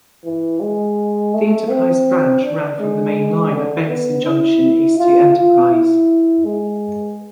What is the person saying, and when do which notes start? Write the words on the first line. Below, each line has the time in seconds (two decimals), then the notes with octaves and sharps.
The Enterprise Branch ran from the main line at Benson Junction east to Enterprise.
0.24 E3
0.61 G#3
1.34 A3
1.70 C4
2.43 D4
2.79 G#3
3.53 D3
3.89 B3
4.26 E4
4.98 F4
5.35 F4
5.71 E4
6.45 G#3